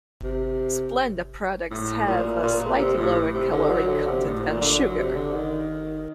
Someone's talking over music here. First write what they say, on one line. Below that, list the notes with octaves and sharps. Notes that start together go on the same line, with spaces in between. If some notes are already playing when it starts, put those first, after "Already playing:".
Splenda products have a slightly lower caloric content than sugar.
C3
A2
A#2
A#2
A#2
C3
A2
C3
D3
F#3
D3
C3
A2
A#2
D3
F#3
C3
D3
D#3